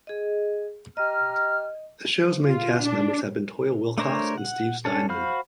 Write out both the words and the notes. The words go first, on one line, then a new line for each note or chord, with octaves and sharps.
The shows main cast members have been Toyah Willcox and Steve Steinman.
G#4 D#5
G4 D#5 A#5 F6
F4
D4
A3 D4 A#4 C5 C#5
F#5
C#4 D4 A4
F#4 C5 F5 B5 F6